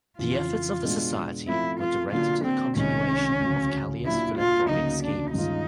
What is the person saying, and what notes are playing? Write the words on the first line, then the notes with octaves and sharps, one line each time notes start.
The efforts of the society were directed to the continuation of Callier's philanthropic schemes.
F2 C#3 E3 F4
B2 G#3 B3 D4
F3 A3 C4 E4
F4
D3 F#3 A#3 D4 F4
C4
C2 C3 D#3 G#3 C#4
D2 C#3 F#3
A#2 F#3 A#3 D4 E4
F4
D2 C#3 F#3 A#3 C#4 D#4
D4
G2 D#3 G#3 C#4 D#4 F4